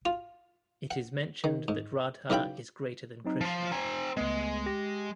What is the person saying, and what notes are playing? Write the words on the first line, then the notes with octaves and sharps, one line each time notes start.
It is mentioned that Radha is greater than Krishna.
F4
F#5
D#3
G#2
B1 C#3 E4 G5 B5
F#3 C4 D#4
F3 F4 A5
C4 G#5 A#5
C#2 G#3 A3 B3
G4 A#6